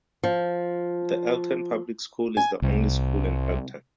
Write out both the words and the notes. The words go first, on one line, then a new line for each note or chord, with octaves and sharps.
The Elkton Public School is the only school in Elkton.
F3
G#5
C2